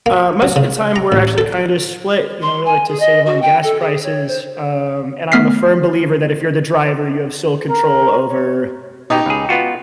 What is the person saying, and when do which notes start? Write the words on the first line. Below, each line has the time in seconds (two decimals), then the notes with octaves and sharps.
Uh, most of the time, we're actually kinda split, you know, we like to save on gas prices, um, and I'm a firm believer that if you're the driver, you have sole control over
0.06 A#3
0.42 F#3
0.56 C#3
0.96 A#5
1.12 A1
1.38 A4
2.42 C6
2.65 G#5
2.88 G#4
3.00 D#5
3.26 F#4
3.42 G5
3.63 A4
3.80 G#4
4.03 C#5
4.28 C5
5.32 A3 B3 F6 B6 C7
7.67 A#4
8.28 C#5
9.10 B2 D#4 G4
9.26 C#2 G#4
9.49 B3 F4 F#4